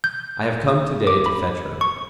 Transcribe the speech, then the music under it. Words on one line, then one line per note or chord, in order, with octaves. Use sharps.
I have come to-day to fetch her.
G6
D6
B5
C#6